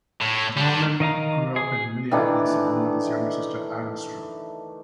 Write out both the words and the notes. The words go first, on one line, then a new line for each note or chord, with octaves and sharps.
Stormoen grew up in Minneapolis along with his younger sister Anna Stormoen.
A2
G3 D4
D#3 D#5 F5 A#5
G#4
D#3 E3 A3 D4